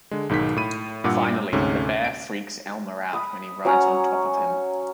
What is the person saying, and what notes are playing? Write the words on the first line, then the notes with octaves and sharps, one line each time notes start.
Finally, the bear freaks Elmer out when he rides on top of him.
D3 G#3
B1 G#2 D#3 G6 B6
A2 B5 D#7
G2 A#2 E4 F#5 D6 E6
D2 G#2 C3 A3 C#4
D7
B5 D#6
F#3 C#4 F#5 A#5